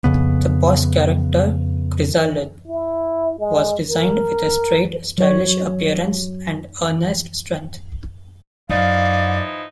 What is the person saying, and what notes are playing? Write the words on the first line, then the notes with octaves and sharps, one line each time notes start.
The boss character, Krizalid, was designed with a straight, stylish appearance and earnest strength.
F2 C#3 B3
E4
G#3
A#4
F#3 C#5
F#2 E3 F3 D#4 D5 F5